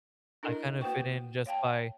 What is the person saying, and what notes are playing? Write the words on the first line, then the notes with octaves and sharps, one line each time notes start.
I kind of fit in just by
D4 E4 A4 A#4 D#5
A#3 F#4 B4 C5 G5 C#6
C#5 F5 G5 A5